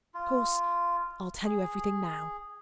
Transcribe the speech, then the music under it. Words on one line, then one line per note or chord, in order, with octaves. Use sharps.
Of course I'll tell you everything now.
F4
G#4